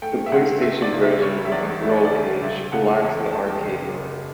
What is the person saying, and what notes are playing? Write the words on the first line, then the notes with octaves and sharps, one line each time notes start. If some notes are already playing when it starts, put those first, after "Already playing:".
The PlayStation version of Rollcage lacks the "Arcade" mode.
A3 G5
E5
C#2 F#5
A3 E5
D5
C#2
E5
G3 C#5
E5
E2 D5
A3 E5
D5
C#5
D5
D2
C#2 E5
C#2 F#5
E2 A5
G5
E2 A5
G5
F#1
F#1